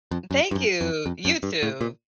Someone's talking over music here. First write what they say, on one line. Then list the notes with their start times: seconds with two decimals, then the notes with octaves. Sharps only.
Thank you. You too.
0.11 F2
0.31 F#2
0.51 G2
0.55 F#2
0.81 F2
1.06 F2
1.25 F#2
1.43 G2
1.63 A2
1.81 A#2